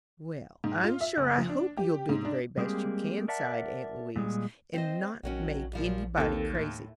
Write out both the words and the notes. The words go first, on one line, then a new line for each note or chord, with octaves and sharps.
"Well, I'm sure I hope you'll do the very best you can," sighed aunt Louise, "and not make any body crazy."
G#2
F4
E5
F#1
F3
D4
G4
G#2
D4
G3 G#3 A#3 C4 G4 G#4
A#4 D5 E5 F#5 A5
A#2 G3 G#3
C4 C5 D#5
A#1 D#3 F#3 C#4
A#2 F3 G3
D#2 C4 A4
A2